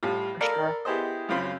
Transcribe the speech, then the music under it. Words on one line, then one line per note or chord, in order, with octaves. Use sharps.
For sure.
A2 G3 F4
A4 A#4 D5 F5 B5
B3 E4 G4 G#4 C5 D#5
F#2 C#3 C4 F4 B5 C6